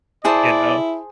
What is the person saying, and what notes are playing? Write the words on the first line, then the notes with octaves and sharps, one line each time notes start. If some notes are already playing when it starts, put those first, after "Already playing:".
You know?
E4 G#4 C5 D5 A5